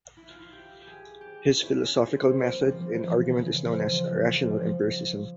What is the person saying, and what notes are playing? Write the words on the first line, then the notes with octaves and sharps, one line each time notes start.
His philosophical method in argument is known as rational empiricism.
E4
F4
E4
G4
G4
G#4
G4
E4
C#4
E4
E4
C#4
C4
A#3
G3
G3
F3
E3
C#3
F3
F3
G3
F3
G3
F3